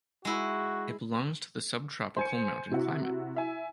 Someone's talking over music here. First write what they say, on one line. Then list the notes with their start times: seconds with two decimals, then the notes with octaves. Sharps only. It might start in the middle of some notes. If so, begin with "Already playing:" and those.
It belongs to the subtropical mountain climate.
0.25 G#3 E4 F#4
2.17 C5 G#5 C#7
2.71 C3 E4 F#4
3.35 E4 E5 G#5